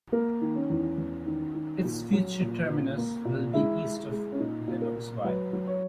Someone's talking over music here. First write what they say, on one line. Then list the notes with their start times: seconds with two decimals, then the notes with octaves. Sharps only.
Its future terminus will be east of Lennoxville.
0.12 A#3 A#4
0.41 D#3
0.56 C#4
0.70 E2
0.98 E2
1.26 D#3
1.55 D#3
1.84 A#2
2.12 F#3
2.41 A#2
2.68 A#2
2.97 A#3
3.25 A#2
3.53 G#3 E4
3.82 G#3
3.97 E4
4.11 G#3
4.32 C#4
4.40 A#2 D#4
4.68 A#2
4.82 A#4
4.96 A#2
5.24 F#3 B4
5.53 F#3
5.67 C#5